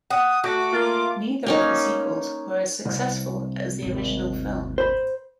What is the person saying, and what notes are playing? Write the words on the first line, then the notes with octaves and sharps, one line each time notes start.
Neither of the sequels were as successful as the original film.
F#5 D#6
A3 F#4 D6
A#3 F4
A#3 C#4 D#4
C2
G#1 D#2
C5 B5